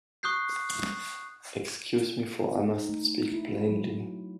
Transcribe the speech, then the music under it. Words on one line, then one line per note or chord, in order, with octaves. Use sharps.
Excuse me, for I must speak plainly.
C#6 D#6 F#6 G6 C7
D#4
A3
E4
F#3